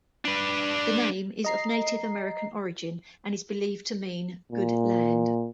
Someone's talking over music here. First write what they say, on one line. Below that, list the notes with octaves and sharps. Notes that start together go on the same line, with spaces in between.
The name is of Native American origin and is believed to mean "good land".
D4 B4
D#5 A#5 C7
A#2